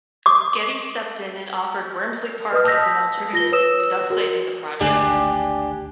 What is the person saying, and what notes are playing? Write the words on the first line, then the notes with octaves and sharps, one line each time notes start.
Getty stepped in and offered Wormsley Park as an alternative, thus saving the project.
D6 D#6
B4 D#5 D#6 F6
A5 D#6 E6 G6 A#6 B6
F4 A#6 G7
B4 C#5 D#6 E6 E7
F#4 A#4
G#1 D2 D4 G4 G#5